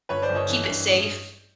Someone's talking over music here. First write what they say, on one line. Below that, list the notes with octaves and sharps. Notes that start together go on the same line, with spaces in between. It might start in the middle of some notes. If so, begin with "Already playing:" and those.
keep it safe.
G1 B4 C#5
C5 D5
G1
C#5 D#5
E3
G2
A1